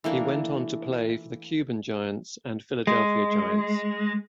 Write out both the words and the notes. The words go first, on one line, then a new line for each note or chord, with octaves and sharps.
He went on to play for the Cuban Giants and Philadelphia Giants.
E3 A3 A#3 D4
G#3